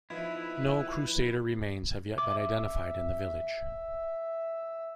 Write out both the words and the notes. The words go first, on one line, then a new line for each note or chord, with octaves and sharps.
No Crusader remains have yet been identified in the village.
F2 F3 B3 D#4 E4 B4 E5
E5 D6